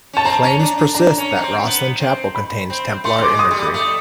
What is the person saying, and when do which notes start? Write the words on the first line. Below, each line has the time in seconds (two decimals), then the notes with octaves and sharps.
Claims persist that Rosslyn Chapel contains Templar imagery.
0.13 C#4 A5
0.24 C4 A#5
0.43 C#4
0.59 D4
0.77 D4
0.95 D4 A#5
1.18 C#4
1.36 C#4
1.41 C4
1.65 B3
2.00 C4
2.35 B5
2.70 C4
3.04 A3 C6
3.18 G3 D6
3.28 G#3
3.39 D#6
3.51 G3
3.74 A3